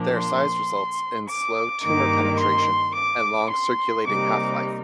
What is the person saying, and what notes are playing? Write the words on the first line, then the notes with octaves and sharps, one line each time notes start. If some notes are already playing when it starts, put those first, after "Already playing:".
Their size results in slow tumor penetration and long circulating half-life.
Already playing: A#2 F3 A#3 D4
C6
D6
G2 D#3 A#3 D#4 D6
C6
D6
C6
C3 G3 A#3 D#4 D6